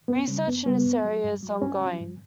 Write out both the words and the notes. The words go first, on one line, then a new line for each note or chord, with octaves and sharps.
Research in this area is ongoing.
F#2 B3
C#3 G3 C#4
F#2 B3
C#3 G3 B3
G2
F#3
G2
F#3
G2 C#4
F#3
G2